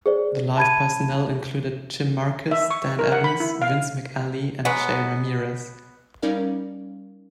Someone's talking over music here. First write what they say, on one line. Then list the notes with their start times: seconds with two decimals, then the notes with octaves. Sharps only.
The live personnel included Jim Marcus, Dan Evans, Vince McAley, and Jay Ramirez.
0.06 G#4 C5 D5
0.57 A5 B5 G#6 D#7
2.51 E5
2.71 C#6
2.99 A#4
3.12 F#5
3.24 B5
3.40 E4
3.62 F5
4.65 F#3 G#3 B3
6.22 G3 C#4 D#4 A#4 D5 F5